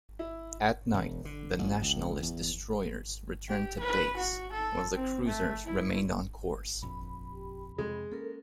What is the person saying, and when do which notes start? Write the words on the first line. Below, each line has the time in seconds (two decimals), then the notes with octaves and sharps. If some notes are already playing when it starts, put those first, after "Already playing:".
At night, the Nationalist destroyers returned to base, while the cruisers remained on course.
0.19 E4
0.94 E1
1.25 D3
1.59 A1
1.82 C#2
2.23 E2
3.49 G4
3.80 B4
4.17 F#4
4.53 A4
4.95 C4
5.27 A3
5.64 E4
6.82 A#1 F2 B5
7.33 G4
7.78 F2 C3 G#3 G#4
8.12 A#3 C#4 A4 A#4